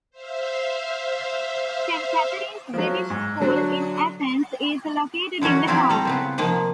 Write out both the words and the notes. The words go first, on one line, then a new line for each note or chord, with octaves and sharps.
St.Catherine's British School in Athens is located in the town.
C5 E5 F5
F3 F#3
G#2
D3 F#3 D4
D3 E3 F#3 C#4 F#4
F#3 C4 D4 E4 F4 G4
G3 A4 A#5
C#3 B3 C4
C3 D#3 F3 A#3